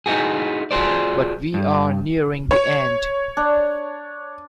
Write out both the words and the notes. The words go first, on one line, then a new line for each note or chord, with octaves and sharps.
But we are nearing the end.
D#4 E4 F#4 G#4
F4 F#4 G#4 C5 D5
G2
C#5
D4